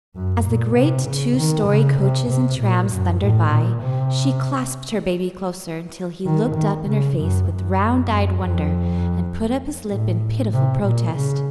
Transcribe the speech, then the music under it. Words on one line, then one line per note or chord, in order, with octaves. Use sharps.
As the great two-story coaches and trams thundered by, she clasped her baby closer, until he looked up in her face with round-eyed wonder and put up his lip in pitiful protest.
F#2
A#2
C3
C#3
D#3
C#3
C3
C3
A#2
F#2
A2
A#2
C3
D#3
D#3
C#3
F#2
F#2
F#2
F2
A2
C3
A#2
C#3